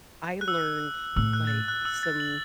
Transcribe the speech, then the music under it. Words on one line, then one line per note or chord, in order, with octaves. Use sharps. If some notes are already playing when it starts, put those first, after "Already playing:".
I learned, like, some
F#6
E6
A2 E6
F#6
A6
F#6
F#6
E6
A6
F#7